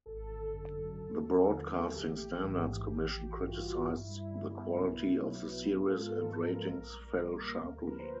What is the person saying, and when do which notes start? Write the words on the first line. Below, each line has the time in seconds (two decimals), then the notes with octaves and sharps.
The broadcasting standards commission criticised the quality of the series and ratings fell sharply.
0.06 G#1 A4
0.30 D3
0.53 F#2
0.77 F#3
1.00 D#2
1.24 F3
1.48 D3 A4
1.71 A3 A#4
1.79 A4
1.88 G#4
1.95 A1 G4
2.19 E3
2.43 G#2
2.66 A1
2.90 A1 G4
3.06 G4
3.14 E3
3.22 F#4
3.37 G2 F4
3.49 F#4
3.53 F4
3.61 A1
3.69 F4
3.78 E4
3.85 G2
3.96 E4
4.09 G3
4.32 D3
4.55 B3
4.79 B1 E4
5.03 F#3
5.27 B2
5.50 B3
5.74 G#2 F4
5.90 A4
5.98 G#3
6.05 A4
6.21 F3 A#4
6.45 C4 A4
6.68 A#1 A#4
6.93 G3
7.17 A#2
7.39 A#3
7.63 D2 A#4
7.76 A#4
7.87 F3 B4
7.99 C5